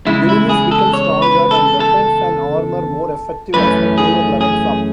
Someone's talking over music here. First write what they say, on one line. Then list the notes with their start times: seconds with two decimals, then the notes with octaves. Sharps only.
Enemies become stronger and weapons and armor more effective as the player levels up.
0.07 E2 C#3 G#3 E4
0.29 E4
0.49 G#4
0.71 A4
0.93 C#5
1.22 B4
1.51 A4
1.80 A4
3.54 F#2 E3 A3 C#4 B4
3.98 G#4
4.41 G#4